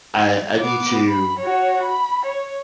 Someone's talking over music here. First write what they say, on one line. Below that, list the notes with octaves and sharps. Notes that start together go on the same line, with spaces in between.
I I need to
B3 D6
B5
F#4 C#5
B5
C#5